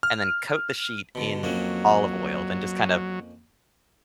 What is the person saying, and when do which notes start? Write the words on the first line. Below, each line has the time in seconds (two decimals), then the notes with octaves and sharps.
and then coat the sheet in olive oil, then just kind of
0.03 F6
1.15 B2 D3
1.43 F2 F#3 A#3 C#4